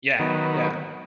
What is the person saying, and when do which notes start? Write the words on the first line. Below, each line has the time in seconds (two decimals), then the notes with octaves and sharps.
yeah, yeah.
0.19 D#3 F#3 B3